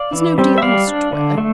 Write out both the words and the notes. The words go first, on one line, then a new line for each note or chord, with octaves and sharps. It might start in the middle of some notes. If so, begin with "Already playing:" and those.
"Has nobody asked where?"
Already playing: D5 F5
E3
G3 C4
E5
G3 D5 F5
D4
D3
A3